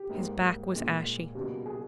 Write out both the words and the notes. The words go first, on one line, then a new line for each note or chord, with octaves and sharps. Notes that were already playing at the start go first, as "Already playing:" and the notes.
His back was ashy.
Already playing: G4
G#2 G3 A#3
A#2 G#3
C#2 B2 G3 A#3
G#4